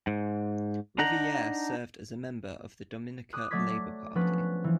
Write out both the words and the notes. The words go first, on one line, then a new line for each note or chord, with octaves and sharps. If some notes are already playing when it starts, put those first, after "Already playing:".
Riviere served as a member of the Dominica Labour Party.
G#2
D4 D#4 F#5 A#5
D6 D#6 F#6
F#3 A3 D5 D6 G#6 B6
F3 B3 C#4 D4 B4
E3 F3